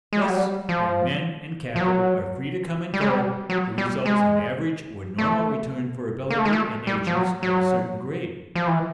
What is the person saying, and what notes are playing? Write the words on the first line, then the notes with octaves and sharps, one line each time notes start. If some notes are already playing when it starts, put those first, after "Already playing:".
Thus, when men and capital are free to come and go, there results an average or normal return for ability and agents of a certain grade.
G#3
G3
F#3
G3
F3
F3
F#3
G3
G#3
G3
F#3
G3
G#3
A3
A#3
A3
G#3
A3
G3
F3
F#3
F#3
F3
E3